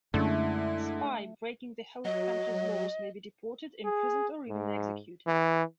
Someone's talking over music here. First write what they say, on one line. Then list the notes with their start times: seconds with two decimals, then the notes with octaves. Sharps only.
A spy breaking the host country's laws may be deported, imprisoned, or even executed.
0.14 F#2 D3 G#3 A3 C4 C#4 E4
2.05 F#3 D#5
3.85 G#4
4.48 G#2
5.27 E3